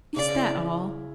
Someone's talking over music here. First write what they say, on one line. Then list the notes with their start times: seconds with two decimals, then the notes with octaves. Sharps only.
"Is that all!"
0.15 C#3 D5
0.35 E4